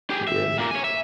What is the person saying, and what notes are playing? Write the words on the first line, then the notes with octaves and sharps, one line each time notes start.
It did,
G4 G#4
E5
A#2 A#3
C#5 G#5
E5